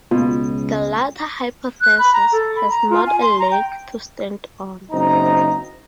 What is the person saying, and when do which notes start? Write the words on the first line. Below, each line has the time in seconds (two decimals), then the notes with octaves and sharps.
The latter hypothesis has not a leg to stand on.
0.11 C#2 B2 F4
1.81 F#6
1.99 B5
2.13 A#5
2.33 A4
2.56 B5
2.70 A#5
2.90 F4
3.07 G#5
3.22 C6
3.39 A#5
3.52 G5
4.91 F#1 C4 D#4 A#5